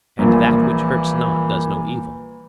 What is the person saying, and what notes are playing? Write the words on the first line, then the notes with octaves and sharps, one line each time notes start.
And that which hurts not does no evil?
A#1 A#2 E3 G3 A#3 A#5